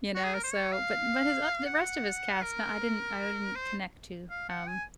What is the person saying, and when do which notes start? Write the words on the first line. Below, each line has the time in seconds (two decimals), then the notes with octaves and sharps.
you know, so. But but his o the rest of his cast, nah, I didn't I wouldn't connect to, um,
0.15 F#4
0.25 G#4
0.34 A#4
0.44 C5
0.53 C#5
0.72 F5
1.66 F#5
2.42 A#4
3.55 C5
4.30 F5
4.49 F#5
4.68 G#5